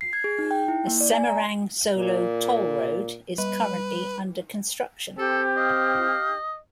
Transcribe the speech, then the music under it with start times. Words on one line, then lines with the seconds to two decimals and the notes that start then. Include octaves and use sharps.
A Semarang-Solo Toll Road is currently under construction.
0.01 C7
0.13 G#6
0.24 G#4
0.39 D#4
0.51 G5
0.68 E4
0.87 A#3
1.01 D5
1.13 G#5
1.27 A#5
1.97 A#2
3.38 G3 B4
5.18 C4 G4 A4
5.57 D#5 F5